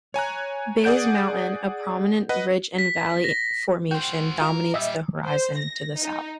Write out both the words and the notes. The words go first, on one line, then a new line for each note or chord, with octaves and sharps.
Bays Mountain, a prominent Ridge-and-Valley formation, dominates the horizon to the south.
C#5 G#5 A#5 F#6
G#4 D5 F#5 G6 D7
B4 D#5 F#5
B6
A#6
F#4 C5 G5
F4 A#4
A#2 G3 D#5 E5
C5
A#6
D#4